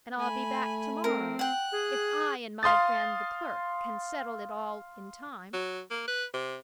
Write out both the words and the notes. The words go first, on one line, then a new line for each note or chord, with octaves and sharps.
And I'll be back to-morrow, if I and my friend the clerk can settle it all in time.
A3 G#5 B5
C4 A#4
F#5 G5 F#6
G#4
F5 C6 D#6 A6
F#3
A#3
B4
C3